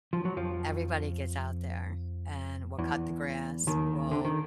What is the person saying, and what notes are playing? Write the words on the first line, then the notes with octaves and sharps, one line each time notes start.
everybody gets out there and we'll cut the grass, we'll
F3
F#3
F2 F3
E2 E3
D#2 D#3
D3
D#3